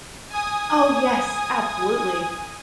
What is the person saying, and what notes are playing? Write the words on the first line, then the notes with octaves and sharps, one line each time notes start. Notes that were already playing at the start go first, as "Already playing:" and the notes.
Oh, yes, absolutely.
G#5 D#6